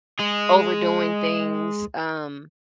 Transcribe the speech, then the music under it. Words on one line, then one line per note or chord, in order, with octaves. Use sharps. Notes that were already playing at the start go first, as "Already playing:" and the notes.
overdoing things, um,
G#3 G#4